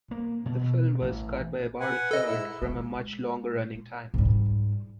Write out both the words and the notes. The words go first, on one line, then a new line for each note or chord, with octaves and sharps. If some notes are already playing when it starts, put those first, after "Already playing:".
The film was cut by about a third from a much longer running time.
A#3
B2
A1
B4 F#5 G#5
A4 D#5
G#2 E4 E6
G#3
G#2 G3